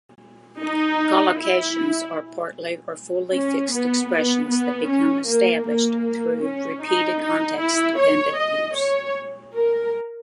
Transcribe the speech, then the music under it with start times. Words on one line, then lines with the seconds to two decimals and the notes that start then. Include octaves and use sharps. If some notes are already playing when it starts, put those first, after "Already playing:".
Collocations are partly or fully fixed expressions that become established through repeated context-dependent use.
0.62 D#4
1.40 E4
3.34 C#4
3.72 B3
4.11 B3
4.50 B3
4.89 C#4
5.27 A#3
5.66 A#3
6.44 C#4
6.83 D#4
7.21 D#4
7.60 E4
7.99 C#5
8.37 D#5
8.76 C#5
9.54 A#4